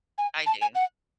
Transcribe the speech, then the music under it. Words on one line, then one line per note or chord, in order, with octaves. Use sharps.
I do.
G#5
A5
G#5
F#5